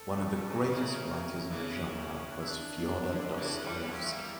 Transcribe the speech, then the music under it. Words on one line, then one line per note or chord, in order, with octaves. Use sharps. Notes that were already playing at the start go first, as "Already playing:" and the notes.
One of the greatest writers of the genre was Fyodor Dostoyevsky.
Already playing: A4
C#3
A#2
C#3
F3
C#3 E3 A#4
A#4
C#3 E3 D4
C#4
D4
E4
D4
D3
C#3 E3
E3 G3
G3
F3 A3 E4
A3
G3 A#3